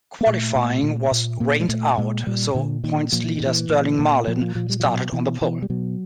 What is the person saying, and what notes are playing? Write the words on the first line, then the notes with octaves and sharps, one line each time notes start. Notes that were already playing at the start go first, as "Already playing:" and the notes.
Qualifying was rained out, so points leader Sterling Marlin started on the pole.
A#3
A#2 A3
A#2
A#2
A#2
A#2 A#3
G#3
A#2 A3
A#2 G#3
A#2 G3
A#2 D3
A#2 D#3
A#2 F3
E3
D#3
A#2
E3
A#2
A#2
A#2 F3
F3
A#2 F3
G3
F3
B2 F#3
B2 E3
B2 E3
G3
B2 F#3